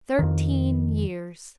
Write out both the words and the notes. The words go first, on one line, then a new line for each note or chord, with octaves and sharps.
Thirteen years.
F2 D#3